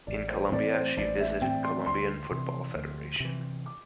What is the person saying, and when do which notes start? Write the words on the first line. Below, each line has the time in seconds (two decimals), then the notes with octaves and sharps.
In Colombia, she visited Colombian Football Federation.
0.07 A1 D5
0.30 C5
0.52 A2 E3 C4 D5
0.75 C5
0.97 A1 D5
1.20 E5
1.42 A2 E3 C4 G5
1.64 C6
1.86 D2 C6
2.31 C3 E3
2.76 D2
3.20 C3 E3
3.66 D6